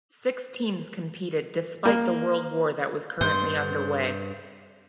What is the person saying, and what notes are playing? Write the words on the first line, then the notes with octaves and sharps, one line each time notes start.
Six teams competed despite the World War that was currently under way.
A#3
G2 C5